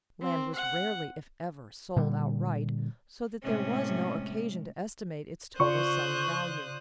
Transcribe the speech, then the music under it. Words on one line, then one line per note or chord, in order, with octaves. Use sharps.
Land was rarely, if ever, sold outright, so that there was no occasion to estimate its total selling value.
C4
F#5
A#2 D3 G3
A2 C3 G#3 C#4
C#3 F4 C5 D5 C6 C#6 D#6 F#6